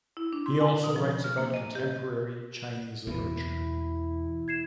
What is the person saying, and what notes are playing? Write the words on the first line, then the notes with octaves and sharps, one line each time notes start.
He also writes about contemporary Chinese literature.
E4
D4
C6
G#5
B2
F3
F3
F6
A#3
D#5
G4
E2 B2 E3 A#3 E4
G#6 C7 E7